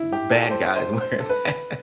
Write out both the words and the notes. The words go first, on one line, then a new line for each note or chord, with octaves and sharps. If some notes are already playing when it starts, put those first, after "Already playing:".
bad guys wearing masks.
Already playing: E4
G4
A4
C5
C5
C5
A4
B4